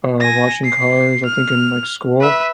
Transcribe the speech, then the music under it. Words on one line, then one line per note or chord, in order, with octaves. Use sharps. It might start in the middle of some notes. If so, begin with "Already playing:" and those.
uh, watching Cars, I think in, like, school.
G#5 A#6
C7
F6
B4 E5